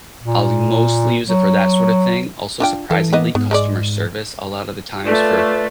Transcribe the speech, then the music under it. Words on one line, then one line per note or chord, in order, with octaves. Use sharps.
I'll mostly use it for that sorta thing, also, surprisingly, customer service a lot of the times for,
A#2
F#3
D4 F4 G5
E3 A4
A#3 B3 D#5
G#2 B3
G#3 A#4 D5
A3 F4 B4 D5